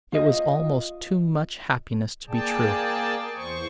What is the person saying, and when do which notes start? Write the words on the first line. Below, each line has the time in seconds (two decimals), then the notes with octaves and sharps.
It was almost too much happiness to be true.
0.12 F4 D#5
2.29 A#3 G#4 D5 G5 A5
3.35 E2 C5 C#6